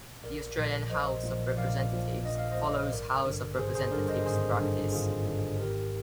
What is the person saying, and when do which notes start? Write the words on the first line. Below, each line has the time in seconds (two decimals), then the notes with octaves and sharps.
The Australian House of Representatives follows House of Representatives Practice.
0.23 A#1 A#4 D5
0.56 A#2 F3
0.90 A#1 C5 D#5
1.24 A#2 F3
1.57 A#1 D5 F5
1.91 A#2 F3
2.24 A#1 D#5
2.38 F5
2.51 C5 D#5
2.57 A#2 F3
2.91 G#1 A#4 D5
3.25 G2 D3
3.58 G#1 G#4 C5
3.75 G#4 C5
3.91 G2 D3 A#4 D5
4.08 C5 D#5
4.25 G#1 G#4 C5
4.59 G2 D3
4.92 G#1 F4 G#4
5.26 G2 D3
5.59 G#1 G4 A#4